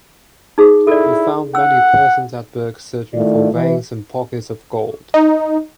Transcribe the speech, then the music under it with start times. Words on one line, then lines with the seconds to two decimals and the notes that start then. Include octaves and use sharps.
We found many persons at work searching for veins and pockets of gold.
0.58 D#4 G#4
0.87 E4 A4 D5
1.55 F#5 E6
3.14 D#3 A3 E4 F4 D5
3.51 E3
5.14 D#4